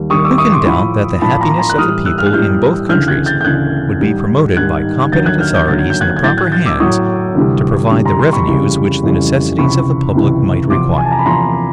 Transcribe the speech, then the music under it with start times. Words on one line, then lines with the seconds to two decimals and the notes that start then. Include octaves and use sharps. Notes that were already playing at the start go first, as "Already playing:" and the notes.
Who can doubt, that the happiness of the people in both countries would be promoted by competent authorities in the proper hands, to provide the revenues which the necessities of the public might require?
Already playing: D#2 D#3 G3
0.10 D#2 D#3 G3 C#6 D#6
0.25 D6 E6
0.38 C#6 D#6
0.52 C6 D6
0.66 A2 F3 B5 C#6
1.22 A2 F3 A5 B5
1.41 A#5 C6
1.59 A#5 C6
1.70 F#6
1.78 A2 E3 G3 D#6 F6
2.06 E6 F#6
2.18 F6
2.26 F#6
2.33 A2 E3 G3 F6 G6
2.89 D2 C#3 E3 F6 G6
3.08 F#6 G#6
3.26 G6 A6
3.41 G6
3.45 D2 C#3 E3 F#6 G#6
4.01 G#2 D#3 G3
4.57 G#2 D#3 G3 F#6 G#6
5.12 D#2 D3 F#3 G6 A6
5.26 F#6 G#6
5.40 F6 G6
5.55 F6 G6
5.68 D#2 D3 F#3 A6
5.79 G#6
5.90 G6
6.01 F#6 G#6
6.16 G#6
6.24 A2 F#3 G6 A6
6.38 F#6 G#6
6.52 G6 A6
6.66 D6 E6
6.80 A2 F#3 C#6 D#6
7.35 D2 C3 E3 G3
7.91 D2 C3 E3 G3
8.05 A#5 C6
8.19 A#5 C6
8.33 B5 C#6
8.47 F2 C#3 E3 G3
9.03 F2 C#3 E3 G3
9.59 C#2 C3 E3 B5 C#6
10.15 C#2 C3 E3
10.70 E2 C3 F3 C6 D6
10.98 G#5
11.05 A5
11.12 A#5
11.19 B5
11.26 E2 C3 F3 A#5 C6